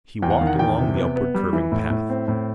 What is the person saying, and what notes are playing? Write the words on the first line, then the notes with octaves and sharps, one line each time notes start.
He walked along the upwardcurving path.
E2 G5
F#5
D#3 F5
F#5
E2 G5
C3
B3
B3
G3
E3
A2
A2
C4
A2